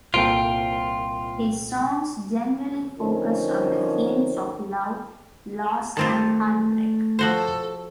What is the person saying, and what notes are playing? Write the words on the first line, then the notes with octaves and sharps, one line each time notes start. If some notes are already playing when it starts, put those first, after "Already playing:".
His songs generally focus on the themes of love, loss and heartbreak.
C2 A#2 F4 A4 G5 D7
D3 F3 C4 C#4 D#4 A#4
D#3 A3 C4 F4 A5
F3 F#4 A4 C5